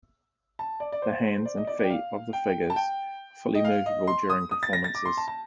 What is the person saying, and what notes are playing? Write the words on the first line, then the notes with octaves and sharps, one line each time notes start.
The hands and feet of the figures are fully movable during performances.
A5
D5
D5
C5
D5
D#5
D5
D5 G5
F5
G5
A5
G5
D#5
F5
D#5
C6
D#6
D#6
A6
A#6
A6
D6
C6
A5
A5